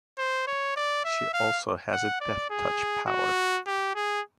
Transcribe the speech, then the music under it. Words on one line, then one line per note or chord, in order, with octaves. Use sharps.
She also has a death touch power.
C5
C#5
D5
E5
F5
F#5
D5
G#4
F#4
G4
G#4